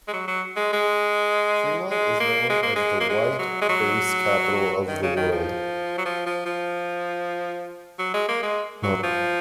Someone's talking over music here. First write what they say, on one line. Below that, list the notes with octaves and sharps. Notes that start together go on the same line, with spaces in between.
Fremont is known as "the white bass capital of the world".
G#3
F#3
F#3
G#3
G#3
G#3
A#3
G#3
A#3
G#3
A#3
G#3
F#3
G#3
F#3
D#3
C#3
D#3
F3
F#3
F3
F3
F3
F#3
G#3
A#3
G#3
F#3
F3